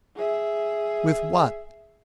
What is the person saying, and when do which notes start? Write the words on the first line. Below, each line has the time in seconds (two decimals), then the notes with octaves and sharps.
"With what?"
0.15 G#4 E5